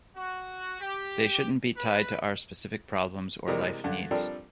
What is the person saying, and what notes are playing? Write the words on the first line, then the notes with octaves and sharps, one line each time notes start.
They shouldn't be tied to our specific problems or life needs.
F#4
G4
B4
C3 E3 G3 G#3 A#3 A#4
G2 D3
F3 G3 C4 D4 A4 A#4